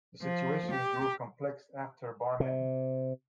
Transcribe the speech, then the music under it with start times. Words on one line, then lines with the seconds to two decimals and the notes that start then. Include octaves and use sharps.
The situation grew complex after Barmen.
0.22 F3
0.72 G4
2.40 C3